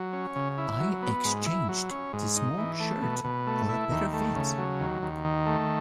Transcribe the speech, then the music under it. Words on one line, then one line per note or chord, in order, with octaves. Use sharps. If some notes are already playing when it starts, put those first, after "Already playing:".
I exchanged the small shirt for a better fit.
Already playing: F#3
C#4
C#3
E4
F#3
B3
G#2
E4
F#3
C#4
G#2
D#4
E3
A3
B2
B2
A3
E4
D#2
A3
C#3
F#3
D#2
D#2
D#3
A3